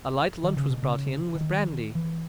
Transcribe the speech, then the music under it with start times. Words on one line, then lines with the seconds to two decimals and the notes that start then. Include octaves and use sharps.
A light lunch was brought in, with brandy.
0.43 D#3
0.56 C#3
0.69 B2
0.83 C#3
1.35 D#3
1.95 E3